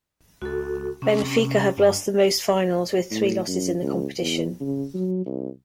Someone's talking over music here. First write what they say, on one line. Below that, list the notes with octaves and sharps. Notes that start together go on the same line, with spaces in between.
Benfica have lost the most finals, with three losses in the competition.
C#2 F#4 A4
C3 C#4
G2
A2
F#2
C#2
E2
C#3
F#3
C2